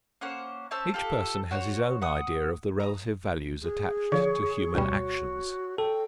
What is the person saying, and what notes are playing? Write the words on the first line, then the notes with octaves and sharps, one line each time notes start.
Each person has his own idea of the relative values attached to human actions.
A#3 C#4 C5 F#5
C#4 C5 A5 E6
F4 G4 A4
F#4 C5 C#5
F#5 D#6
A#5 D#6
G#4
D3 F3 C#5
D2 B2 G3 F#4
A4 G5